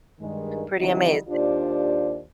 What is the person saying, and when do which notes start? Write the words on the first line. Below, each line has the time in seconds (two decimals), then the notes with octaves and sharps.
Pretty amazing.
0.21 G2 D#3 G#3
0.78 D3 E3 F3 G3 C4 D#4
1.28 D#2 D4 F4 G4 C5 D5